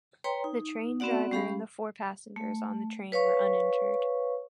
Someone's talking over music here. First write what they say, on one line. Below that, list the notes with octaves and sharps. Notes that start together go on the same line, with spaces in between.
The train driver and the four passengers on the train were uninjured.
B4 C#5 G5 A#5 C6
D#4
B3 C4 F#4 D5 F#5
G3 C#4 G4 F5 B5
A3
B4 C#5 F5 C#6